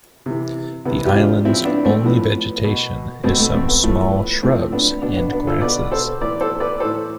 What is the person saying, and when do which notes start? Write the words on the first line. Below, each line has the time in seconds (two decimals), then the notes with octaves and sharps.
The island's only vegetation is some small shrubs and grasses.
0.26 C3 E3
0.85 C3 E3 B3
1.06 G4
1.15 D4 F4
1.45 A2 F3 C4 E4
1.65 B3 D4
1.85 A3 C4
2.04 A2 F3 B3
2.64 B2
3.24 B2 A3 C4
3.39 A3
3.54 A3 C4
3.69 B3
3.83 A2 F3 A3
4.13 B3
4.43 A2 F3 A3 C4
4.72 B3 D4
5.02 B2 B3 D4
5.17 B3 D4
5.32 B3 D4
5.47 F4 A4
5.61 B2 B4 D5
5.91 A4 C5
6.21 A2 E3 B4 D5
6.41 A4 C5
6.60 B4 D5
6.80 A2 E3 A4 C5